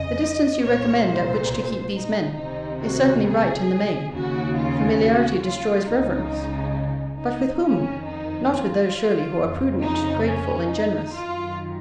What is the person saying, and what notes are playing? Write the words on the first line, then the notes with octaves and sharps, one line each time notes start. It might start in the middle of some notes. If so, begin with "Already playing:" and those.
The distance you recommend at which to keep these men, is certainly right in the main: familiarity destroys reverence: But with whom?--Not with those, surely, who are prudent, grateful, and generous.
Already playing: F2 C#3 D#5
C2 A#2 C#5
C5
D#4
C#2 C3 D#3 D#4
F#4
G#4
D#2 C#3 F#4
F4
F#4
F4
C#2 C#3 D#4
D#4
F2 D#3 C#4
D#4
F4
F2 C#3
D#4
C#4
D#4
F#2 D#3 F4